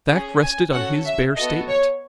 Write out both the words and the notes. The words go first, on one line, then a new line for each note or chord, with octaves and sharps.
The fact rested on his bare statement.
C#4 G#4
G#5
C#4 F#4 A4 F#5
E5
B3 F#4 A4 D#5
C#5